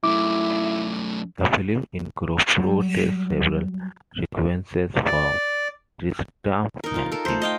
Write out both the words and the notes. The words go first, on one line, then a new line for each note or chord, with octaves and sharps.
The film incorporates several sequences from "Tristram Shandy".
F#2 A3 E4 D6
F#3 G3
D5
D#4 A#4
F4
A4 A#4
A3 C5
D#5 F5 G5